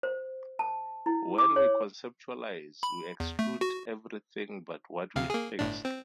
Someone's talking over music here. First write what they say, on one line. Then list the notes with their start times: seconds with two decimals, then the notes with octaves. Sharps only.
When we conceptualize, we exclude everything but what we have fixed.
0.03 C5
0.59 A5
1.06 E4
1.38 D6
1.56 C#5
2.83 B5
3.20 E2
3.39 A3
3.61 F#4
5.16 D2 C3 F5
5.30 A#3 G#4
5.59 G1 A2 D4
5.85 C4